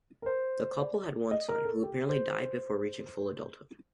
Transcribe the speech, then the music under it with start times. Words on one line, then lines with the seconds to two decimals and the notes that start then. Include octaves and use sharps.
The couple had one son who, apparently, died before reaching full adulthood.
0.22 A#4
0.26 C5
0.78 D5
1.31 D#5
1.48 A#4
1.65 A4
1.83 G4
2.09 C5